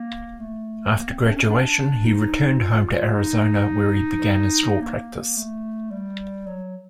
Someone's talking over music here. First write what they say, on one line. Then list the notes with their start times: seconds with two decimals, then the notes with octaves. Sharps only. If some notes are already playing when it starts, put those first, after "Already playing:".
After graduation, he returned home to Arizona, where he began his law practice.
Already playing: A#3
0.39 A3
0.94 A#3
1.08 C4
1.21 C4
1.30 D4
1.35 C#4
1.49 D4
2.05 D#4
2.60 F4
3.15 D#4
4.81 A#3
5.36 A3
5.91 G3
6.46 F#3